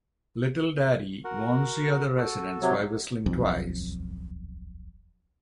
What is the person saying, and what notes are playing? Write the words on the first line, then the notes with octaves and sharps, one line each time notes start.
Little Daddy warns the other residents by whistling twice.
F#4 A#4 F#5
F#4 A4
C3 F#3
D#1 B1 F2